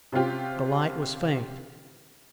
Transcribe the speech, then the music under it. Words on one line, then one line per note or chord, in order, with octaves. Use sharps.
The light was faint.
C3 C4 C#4 F4 G4